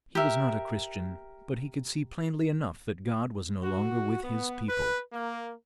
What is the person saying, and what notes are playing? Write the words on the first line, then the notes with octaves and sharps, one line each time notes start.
He was not a Christian, but he could see plainly enough that God was no longer with His people.
G4 A#4 E5
F#4
B3
B4
A#3